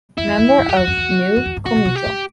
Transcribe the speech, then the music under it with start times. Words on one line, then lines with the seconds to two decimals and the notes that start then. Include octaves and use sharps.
Member of New Komeito.
0.18 F2 E4
0.28 F2
0.38 F2
0.48 F#2
0.58 F#2
0.68 F2 G4
0.77 E2 F#4
0.87 F2
0.97 E2
1.36 F2
1.46 E2
1.57 G#2
1.66 A2 F#4
1.76 A#2
1.85 B2
1.96 G4
2.06 A2